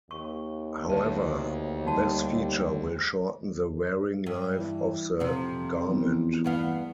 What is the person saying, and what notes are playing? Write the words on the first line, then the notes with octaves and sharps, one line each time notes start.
However, this feature will shorten the wearing life of the garment.
D#2 C#6
D2 B4 A5
G3 D#4 F#4 A5
G2
E3
F2 C3 F3
E2
G2 B3 F5